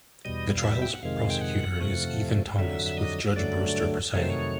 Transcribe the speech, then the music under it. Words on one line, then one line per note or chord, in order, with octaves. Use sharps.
The trial's prosecutor is Ethan Thomas, with Judge Brewster presiding.
E2 B2 G3 D#5
F5
E5
G5
F#5
F2 C3 D#3 G#3 F5
G5
F#5
F2 C3 F3 A3
F2 D3 F#3 E5
E5
D#5
G2 D3 F#3 A3 D5
F2 C3 D#3 F#3 A3 C#5
C5
C#5